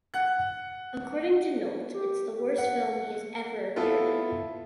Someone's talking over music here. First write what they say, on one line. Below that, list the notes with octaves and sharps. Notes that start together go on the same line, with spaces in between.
According to Nolte, it's the worst film he has ever appeared in.
F#5 F#6
G4
F#5
B3 E4 F4 A4